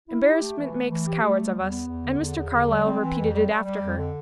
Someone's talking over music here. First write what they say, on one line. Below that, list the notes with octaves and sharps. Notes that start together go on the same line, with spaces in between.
Embarrassment makes cowards of us; and Mr. Carlyle repeated it after her.
E4
G4
A3
E3
A3
E3
G4
A3
G3
E2
B3
E2
D3
E2
E2
D3
G3
C4
E3
F2
G3
G3
G3
F2
D3